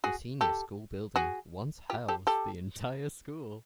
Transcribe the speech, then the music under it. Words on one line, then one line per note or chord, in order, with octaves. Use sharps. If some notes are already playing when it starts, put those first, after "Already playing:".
The senior school building once housed the entire school.
F#4 G#4
G4 A4
F#4 G#4
F4 G4
G4 A4
G4 A4